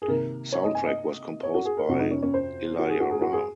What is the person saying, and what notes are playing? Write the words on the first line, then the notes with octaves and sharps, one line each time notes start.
Soundtrack was composed by Ilayaraja.
G#4
C3 D#3 A#3 A#4
C#5
D#5
G#5
D#5
C#5
F#4
G#4
A#4
F2 C3 F#3 F#4
D#4
C#4
C#4
C5
F#4
G#4
F#4
G#4
F#4
G#4